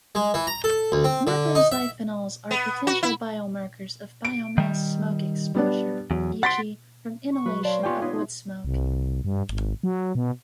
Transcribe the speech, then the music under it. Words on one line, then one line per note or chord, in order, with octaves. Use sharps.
Methoxyphenols are potential biomarkers of biomass smoke exposure; e.g., from inhalation of woodsmoke.
G#3
E3
A#5
A4
D2
C4
D3
D#4
E5
B3
F#4
E4
D7
D#3 G3
G3 B3 D4
E2 F#3
F#5 B5 C6 A6 B6 D7
C#6
F#3 B4
C#5 D5 F5 A5 C6
B3 F4 G4 G5 G#5 C#6
G#3 B3 D#4 F4
C2
G2
G#1
F#3
B2